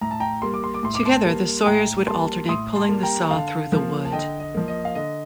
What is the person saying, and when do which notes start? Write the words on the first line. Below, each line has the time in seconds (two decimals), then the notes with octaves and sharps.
Together the sawyers would alternate pulling the saw through the wood.
0.01 A2 A#5
0.11 A5
0.20 G5 A#5
0.42 G3 A#3 C6
0.54 D6
0.64 C6
0.74 D6
0.83 A2 C6
0.95 D6
1.06 A5 C6
1.24 G3 A#3
1.66 A2 G5 A#5
2.07 G3 A#3 A5 C6
2.48 A2 C6 D#6
2.76 A5 C6
2.89 G3 A#3
3.03 G5 A#5
3.31 D3 F5 A5
3.72 F3 A#3
4.05 A5
4.12 D3 D#5 G5
4.40 D#5
4.54 F3 A#3
4.68 D#5
4.85 F5
4.95 D3 D#5